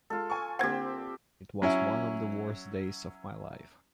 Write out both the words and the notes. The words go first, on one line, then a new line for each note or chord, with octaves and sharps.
It was one of the worst days of my life.
G#3 F4 A4
G#5 C#6
D3 A#3 C4 G4 C5 F#5 G#6
F#3 C#4 E4